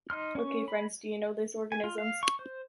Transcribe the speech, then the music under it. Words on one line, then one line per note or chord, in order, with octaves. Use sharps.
Ok, friends, do you know this organisms?
D#4 C6 F6
C#4 C#6
B5
G#5
F4
F5
C#6
C5